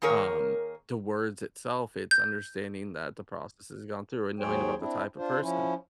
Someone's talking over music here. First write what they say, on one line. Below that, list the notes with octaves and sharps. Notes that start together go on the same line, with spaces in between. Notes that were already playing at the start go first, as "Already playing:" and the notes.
um, the words itself, it's understanding that the process has gone through and knowing about the type of person.
D#3 A#3 G#4 A#4 C#5
G6
D#2 F#3 G#4 C5 C#5 G5
C4 D4 E4
D4 F4 C5
F3 C#4 E4